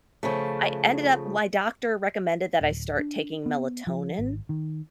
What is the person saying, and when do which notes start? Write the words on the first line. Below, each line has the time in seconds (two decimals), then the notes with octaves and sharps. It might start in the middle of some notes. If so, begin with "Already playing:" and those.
I ended up My doctor recommended that I start taking melatonin,
0.23 C#3 F3 A3
2.61 D1
2.99 D4
3.46 B3
3.87 F3
4.18 G#1
4.49 D#3